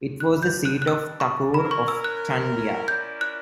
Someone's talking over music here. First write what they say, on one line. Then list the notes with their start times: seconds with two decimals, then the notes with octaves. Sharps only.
It was the seat of Thakur of Chandia.
0.20 G3 B3 D4 F#6
0.42 G6
0.65 F#6
0.82 F#6
0.88 E6
1.20 C#6
1.54 C#4 E4 A#4 C#5 B5
1.71 C#6
1.88 E6
2.04 F#6
2.88 C#4 E4 A#4 D5 G6
3.21 F#6